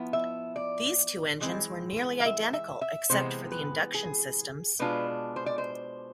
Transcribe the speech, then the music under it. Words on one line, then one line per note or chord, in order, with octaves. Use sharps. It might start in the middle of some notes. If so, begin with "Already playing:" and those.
These two engines were nearly identical, except for the induction systems.
Already playing: F3 B3 E4
E5
D5
E3 G#3 C4
F5
E5
E5
E5
C3 E3 G#3 B3 C5
B4
G#4
B2 G#3 D4 F4 B4
C5
D5
C5